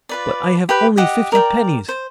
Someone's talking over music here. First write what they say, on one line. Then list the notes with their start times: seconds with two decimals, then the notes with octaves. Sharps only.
But I have only fifty pennies.
0.09 F4 B4 D5
0.69 G4 B4 G5
0.97 G4 D#5 F#5
1.32 A#4 D5 E5 G5
1.89 C5